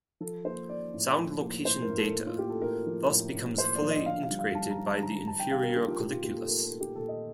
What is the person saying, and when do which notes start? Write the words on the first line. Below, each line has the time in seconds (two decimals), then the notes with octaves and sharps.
Sound location data thus becomes fully integrated by the inferior colliculus.
0.20 F3 A4
0.45 A#3 C5
0.69 A#3 D5
0.94 A2
1.17 F3
1.42 A#3
1.65 A2 C5
1.82 A#4
1.90 A2
1.98 A4
2.14 A#3
2.27 F4
2.38 A#3 G4
2.50 A4
2.62 A2 A#4
2.87 F3
3.10 A2
3.34 A2
3.58 A#3 C5
3.75 D5
3.82 F3
3.90 D#5
4.06 D3 F5
4.23 F5
4.30 G3
4.39 F5
4.54 G3 A5
4.71 A#5
4.78 G3
4.87 A5
5.03 D3 A#5
5.16 A#5
5.27 D3 A5
5.40 G5
5.51 D3 F5
5.63 A#4
5.75 D3 G4
5.88 F4
6.00 A#2 G4
6.11 F4
6.23 A#2 G4
6.36 A4
6.48 A3 A#4
6.64 A4
6.71 A3
6.81 G4
6.96 A#2 A4
7.08 D#5